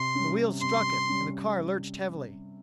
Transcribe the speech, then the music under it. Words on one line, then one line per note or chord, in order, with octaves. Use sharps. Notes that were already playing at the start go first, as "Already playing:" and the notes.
The wheels struck it, and the car lurched heavily....
Already playing: C3 C6
G3 C#4
C3 C6
G3 C#4